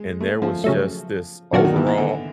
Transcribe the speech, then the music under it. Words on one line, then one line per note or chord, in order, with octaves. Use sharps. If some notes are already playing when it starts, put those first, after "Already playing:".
and there was just this overall,
Already playing: G#3
A3
F3
C#3 F#3 A3
A#2 D#3 F#3 A#3 D4 F#4
D#3
E3
E3
D3